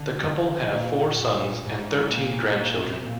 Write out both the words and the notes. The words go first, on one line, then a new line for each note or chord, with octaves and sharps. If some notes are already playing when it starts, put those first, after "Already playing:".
The couple have four sons and thirteen grandchildren.
Already playing: D3
A#2
G#2
C3
A#2
A#2
C3
A#2